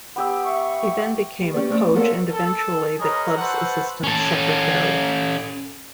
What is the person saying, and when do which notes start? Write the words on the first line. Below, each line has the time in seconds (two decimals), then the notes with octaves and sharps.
He then became a coach and eventually the club's assistant secretary.
0.16 B3 G4 E6
0.45 E5 C#6
1.40 G3
1.53 C#4 G4 B4 D5
1.69 A3 C4
1.96 B3 A4 A#4 C5 C#5 F5
2.31 A4
2.99 G#4 A#4 B4 C#5 D#5
3.38 F#4 A4 B4 C5 F#5
4.04 C#4 A4